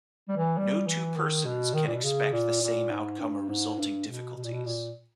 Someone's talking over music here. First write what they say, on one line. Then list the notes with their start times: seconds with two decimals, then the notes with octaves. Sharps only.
No two persons can expect the same outcome or resulting difficulties.
0.28 G3
0.36 E3
0.57 G3
0.87 E3
1.16 D#3
1.45 B2
1.74 D#3
1.86 A#2
1.94 B2
2.03 C#3
2.32 A#2
2.62 A#2
2.91 G#2
3.19 G2
3.49 G#2
3.78 G2
4.07 B2
4.36 B2
4.44 A#2
4.51 B2
4.65 A#2